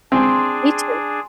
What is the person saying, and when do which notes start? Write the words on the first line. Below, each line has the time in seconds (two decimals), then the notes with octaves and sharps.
Me too.
0.12 C4 D4 G#4 G#5 C6